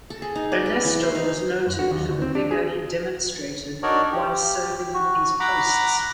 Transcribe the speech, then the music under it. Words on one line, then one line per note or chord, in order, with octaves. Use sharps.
Ernesto was noted for the vigour he demonstrated while serving these posts.
A4
G#4
D#4
D5
B4
E3
C5
D#4
F#2
F#4
D#2
D2
C4
D4
G#4
D4 D#4 F#4 A#4 C#5 D5
G4
F#4
F#5 A#5 B5 D6